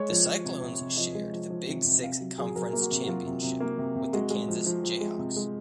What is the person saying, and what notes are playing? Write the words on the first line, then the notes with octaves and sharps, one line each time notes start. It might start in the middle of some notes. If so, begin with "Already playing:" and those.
The Cyclones shared the Big Six conference championship with the Kansas Jayhawks.
Already playing: G#3 C#5
F3
F3
C3
C3
C3
F3 D#5
G#3
F3
F3
C3
C3
C3 F5
F#3
F#3 G#4
F#3 A#4
A#3
F#4
C3
F#4
F#3 F4
C3
C3
A#3
C3
C3
G#3 F#4
G#3
F3
F3
F3
G#3
C3
G#3